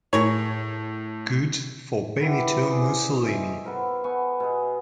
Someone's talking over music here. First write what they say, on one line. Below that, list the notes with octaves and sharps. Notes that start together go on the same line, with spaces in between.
Good for Benito Mussolini.
A2 G#4 A#4 C#5
B3 E4 G4
G#4 C5 D5
D#5 E5 C6 C#6
B3 A4 A#4 C5
B3 G#5 C#6
B2 G#4